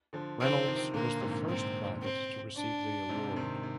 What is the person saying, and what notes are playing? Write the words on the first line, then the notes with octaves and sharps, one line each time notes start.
Reynolds was the first private to receive the award.
D3 F3
C3 D#3 C4
C3 D#3
A#2 D3 A#3
G#2 C3
G#2 C3 C4
C4
D4
G#2 C3
C3 D#3
C3